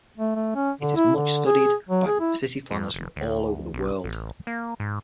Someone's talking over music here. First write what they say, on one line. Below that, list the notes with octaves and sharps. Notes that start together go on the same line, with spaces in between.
It is much studied by city planners from all over the world.
A3
A3
C#4
D3
E4
D3
G#4
F#3
G#4
E4
F2
F1
D2
B1
A1
A#3
G#2